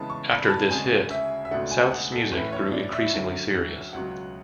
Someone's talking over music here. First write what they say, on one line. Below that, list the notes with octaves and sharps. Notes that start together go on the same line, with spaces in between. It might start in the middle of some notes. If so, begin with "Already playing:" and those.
After this hit, South's music grew increasingly serious.
Already playing: C#3 E3 G#3 B3 A5
C#6
B5
B5
A5
D2 C#3 G#3 C#4 G#5
E5
E5
C#2 B2 A3 D4 F#5
G#5
F#5
A4
A2 E3 A3 C#4 B4
C#5
D5
E5
D2 D3 F#3 C#4
C#2 B2 F#3 F#5